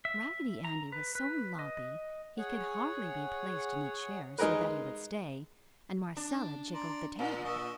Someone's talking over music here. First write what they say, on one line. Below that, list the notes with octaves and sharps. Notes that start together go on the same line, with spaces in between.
Raggedy Andy was so loppy he could hardly be placed in a chair so that he would stay, and Marcella jiggled the table.
E5
A#5
B4
B4
D#5
G#4 C#5 F#5
G#3 D#4 G#4 A#4 B4
D4
D5 A#5 C6
A#2 F3 A#4
D#5 E5 C#6